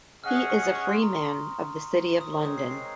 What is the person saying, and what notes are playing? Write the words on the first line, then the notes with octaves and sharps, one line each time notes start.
He is a Freeman of the City of London.
C#4 G#4 D#5 F#5 F6
D#6
C#6
D#6
C#6
C6
A#5
C6
D#6
G#3 C4 D#4 A#4 C#5 C#6
D#6
C7
C7